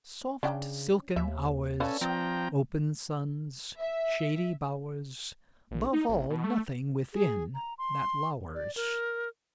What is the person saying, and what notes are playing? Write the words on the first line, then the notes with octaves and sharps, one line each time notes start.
Soft silken hours, Open suns, shady bowers; 'Bove all, nothing within that lowers.
C#3 C#4 D4 G5
D#2 E5
C#4 A4 B4 D5 F5
F3 C4 G5 A#5
E5
A#1
D#4
A1
B2
A3
G#4
A#5
C6
D5
A#4